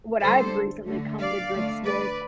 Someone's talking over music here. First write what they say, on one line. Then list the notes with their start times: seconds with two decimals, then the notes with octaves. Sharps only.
what I've recently come to grips with,
0.22 D3 G3 A4 C5
0.87 D3 A3
1.19 D5 F5
1.52 D3 A3
1.84 B4 D5